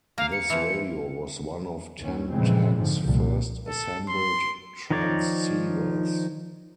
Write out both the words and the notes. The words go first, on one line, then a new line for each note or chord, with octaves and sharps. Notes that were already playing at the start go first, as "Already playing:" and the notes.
This radio was one of Ten-Tec's first assembled transceivers.
A#3 F5
C#7
E3 F3
D#2 C#4
F2 A#2 C#3 E3 G#3 C4
G#2 D3 F3
C2 A#2
A4
C6
D#3 F3 D#4 C#5 D5